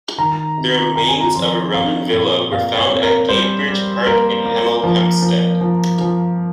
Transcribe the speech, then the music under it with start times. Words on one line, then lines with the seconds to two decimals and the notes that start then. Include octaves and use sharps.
The remains of a Roman villa were found at Gadebridge Park in Hemel Hempstead.
0.18 D#3 A#5
0.58 C3
0.96 C3 A#5
1.08 G#5
1.21 A#5
1.35 F2 C6
1.73 C4 F5
2.13 A#2
2.51 A#2 F5
2.77 C#5
2.90 C4
3.02 A#4
3.28 G3 C5
3.67 G3
4.06 A#3 A#4
4.46 A#3
4.84 F3
5.22 F3
5.61 F3
6.01 F3